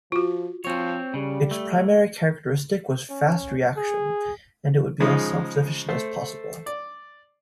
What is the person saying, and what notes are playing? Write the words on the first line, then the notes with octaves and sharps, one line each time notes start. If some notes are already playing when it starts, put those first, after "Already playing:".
Its primary characteristic was fast reaction, and it would be as self-sufficient as possible.
F3 F4 F#4
F3 C4 C#5
C#3 G3
A3
C#4
G#4
C#3 F3 G#3 D#4
A3 A4 C5
D5